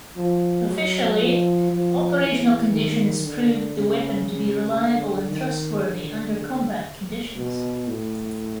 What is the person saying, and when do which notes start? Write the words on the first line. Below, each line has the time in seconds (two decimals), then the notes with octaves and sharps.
Officially, operational conditions proved the weapon to be reliable and trustworthy under combat conditions.
0.17 F3
0.67 F#3
1.19 F3
1.71 F3
2.23 E3
2.74 D#3
3.26 D3
3.77 C#3
4.29 C#3
4.80 D3
5.31 D#3
5.83 D3
7.37 B2
7.88 A2